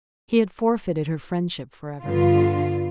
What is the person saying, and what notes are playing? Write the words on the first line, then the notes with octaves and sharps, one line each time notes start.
He had forfeited her friendship for ever.
G2 D3 B3 F4